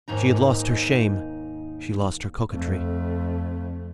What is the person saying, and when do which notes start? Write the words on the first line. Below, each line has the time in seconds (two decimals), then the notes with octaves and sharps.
She had lost her shame; she lost her coquetry.
0.08 D#2 G#2 D#4 A#5
2.51 F2 A3